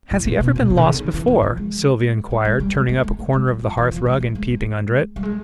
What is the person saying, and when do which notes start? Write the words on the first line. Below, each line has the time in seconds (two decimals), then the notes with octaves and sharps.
"Has he ever been lost before?" Sylvie enquired, turning up a corner of the hearth-rug, and peeping under it.
0.11 A2
0.25 A#2
0.40 B2
0.56 A#2
0.70 B2
0.78 D3
0.84 C#3
0.99 D#3
1.14 E3
1.28 F3
1.43 F3
1.57 G#3
2.31 G#3
2.45 G#3
2.60 G3
2.74 G#3
2.89 A3
3.03 G#3
3.19 A3
3.33 G#3
3.48 F#3
3.62 F3
3.77 E3
3.91 F3
4.06 G#3
4.20 A3
4.35 G#3
4.50 G#3
5.16 G3
5.23 G#3